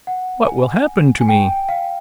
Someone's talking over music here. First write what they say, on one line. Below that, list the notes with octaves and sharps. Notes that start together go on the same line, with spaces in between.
What will happen to me?
F#5
G#5
G#5
G5
F5